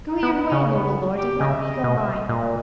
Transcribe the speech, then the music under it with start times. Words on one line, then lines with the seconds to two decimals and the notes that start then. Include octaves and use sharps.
'Go your way, noble lord, and let me go mine.
0.08 D#4
0.23 B3
0.40 B3
0.51 C#3 C#4
0.74 B3
1.18 G4
1.40 C#3 D#5
1.50 E5
1.60 D#5
1.84 B2 D#5
1.97 E5
2.11 D#5
2.29 A#2 D#5